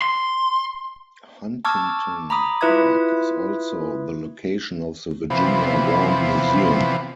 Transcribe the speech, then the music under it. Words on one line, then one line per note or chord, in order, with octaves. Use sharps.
Huntington Park is also the location of the Virginia War Museum.
C6
A5 C#6 D6 E6 F6 G#6
A#5 B5 D6 D#6
E4 F4 B4 E5 D#6 G#6
C3 E3 F3 B3